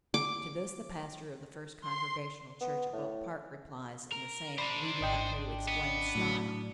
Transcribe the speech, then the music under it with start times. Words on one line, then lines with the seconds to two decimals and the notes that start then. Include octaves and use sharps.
To this the pastor of the First Congregational Church of Oak Park replies in the same we-do-not-care- to-explain style.
0.14 D6
1.85 C6
2.61 B3
2.93 A2
4.13 A#4
4.58 D4 C5 A#5 B5
5.01 G#1 D#5 G5
5.68 B3
6.15 A2 F#3